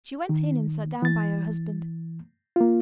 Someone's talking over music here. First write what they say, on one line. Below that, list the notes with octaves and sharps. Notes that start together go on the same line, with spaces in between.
She went in and sat down by her husband.
D#3
E3 A6
A#3 F4